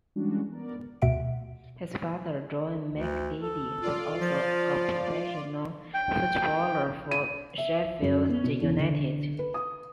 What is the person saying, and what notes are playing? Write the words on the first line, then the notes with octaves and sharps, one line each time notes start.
His father, John McGeady, was also a professional footballer for Sheffield United.
E3 G3 G#3 C#4 D4 F#4
B3 A#4 D5
D2 B2 E5 F#5 D7
D2
A4
F4 D5
F3
G5
D#7
E5
F#2
B3
B2
E2
D3
B4
D#6